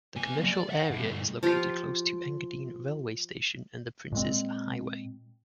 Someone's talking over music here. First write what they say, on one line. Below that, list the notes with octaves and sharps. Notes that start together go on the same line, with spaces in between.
The commercial area is located close to Engadine railway station and the Princes Highway.
B3 G#5
F#3 A#3
D5
E5 F#5
B2 E4
G2 A3
F3 F4 G4
A#2 G#3 C4